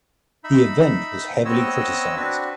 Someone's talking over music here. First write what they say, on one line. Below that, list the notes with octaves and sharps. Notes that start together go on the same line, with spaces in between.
The event was heavily criticized.
D#4 E5 B5
B3 C4 C#5 D#5 E6
C4 D4 F#4 B4